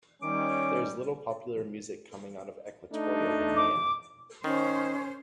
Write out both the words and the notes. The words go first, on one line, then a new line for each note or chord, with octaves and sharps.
There is little popular music coming out of Equatorial Guinea.
D#3 G3 C#4 D6
A3 D4 D#4
D6
D#3 C#4 C5